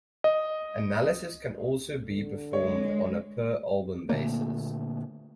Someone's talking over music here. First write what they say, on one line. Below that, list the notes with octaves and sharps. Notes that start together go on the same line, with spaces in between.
Analysis can also be performed on a per-album basis.
D#5
D3
G#3 C#5
A#2 D3 A3 A#3